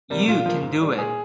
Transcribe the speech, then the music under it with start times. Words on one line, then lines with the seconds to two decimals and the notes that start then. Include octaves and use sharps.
You can do it.
0.10 C3 G3 A#3
0.28 A#2 F4
0.46 F3 A#3
0.63 G#2
0.81 G3 A#3
0.98 A#2 G#4